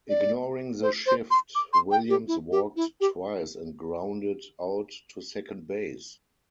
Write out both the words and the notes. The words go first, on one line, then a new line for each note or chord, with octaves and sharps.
Ignoring the shift, Williams walked twice and grounded out to second base.
D5
C5
C5
C6
D6
C6
G5
G4
E4
G4
E4
G4